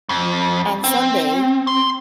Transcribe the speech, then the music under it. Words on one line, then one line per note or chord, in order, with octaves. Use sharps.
on Sunday
F2
C4
C6